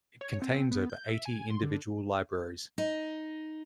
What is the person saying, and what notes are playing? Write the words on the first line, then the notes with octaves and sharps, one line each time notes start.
It contains over eighty individual libraries.
C#5
C4
B3
G6
E5
G#5
C6
D3
D#4